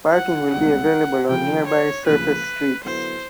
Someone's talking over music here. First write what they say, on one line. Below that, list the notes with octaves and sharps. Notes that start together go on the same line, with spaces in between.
Parking will be available on nearby surface streets.
F#5
C#2 B2 G3 C4 F#5
C#3 F3 A3 G5
C#5
D2 C#3 F3 A#3 B4
D3 F#3 B3 E4 C5